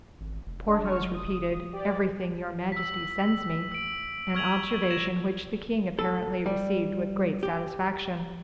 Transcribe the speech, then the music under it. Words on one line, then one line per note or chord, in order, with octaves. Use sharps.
Porthos repeated: "Everything your majesty sends me," an observation which the king apparently received with great satisfaction.
G#1
F1
D4
F#3 C#6 F6
D#6
G4 D5
E6 B6
E6 D7
C#6 F6 G#6 F7 F#7
G#6 A#6 E7
A4
G3
G4